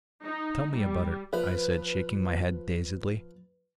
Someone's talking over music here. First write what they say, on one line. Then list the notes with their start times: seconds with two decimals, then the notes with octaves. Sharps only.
"Tell me about it," I said, shaking my head dazedly.
0.24 D#4
0.76 G3
1.33 F3 B4 B5